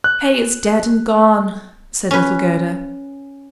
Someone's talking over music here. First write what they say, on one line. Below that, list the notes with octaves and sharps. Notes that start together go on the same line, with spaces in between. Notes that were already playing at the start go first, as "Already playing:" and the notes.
"Kay is dead and gone!" said little Gerda.
F#6
C#4 B4